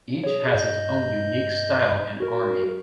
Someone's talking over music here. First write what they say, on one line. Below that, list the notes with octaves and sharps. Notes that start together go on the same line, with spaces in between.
Each has its own unique style and army.
G#4 C#5
G2 D#5 G6
F#4 A#4